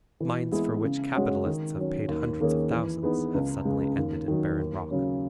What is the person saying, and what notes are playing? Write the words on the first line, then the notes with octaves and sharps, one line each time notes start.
Mines for which capitalists have paid hundreds of thousands have suddenly ended in barren rock.
E3
G#3 B3 E4 G#4
C#3
G#3 C#4 F#4
D#3
F#3 C#4
D#2
D#3 A#3 C#4 G#4
E3
B3 D#4 G#4 B4
C#2
C#3 G#3
D#2
D#3 F#3
D#2
C#3 F#3 C#4